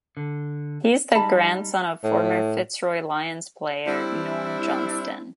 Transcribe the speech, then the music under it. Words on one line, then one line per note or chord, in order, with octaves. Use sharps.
He is the grandson of former Fitzroy Lions player, Norm Johnstone.
D3
G3 D#4 A5 B5
A2
G3 C4 D4 E4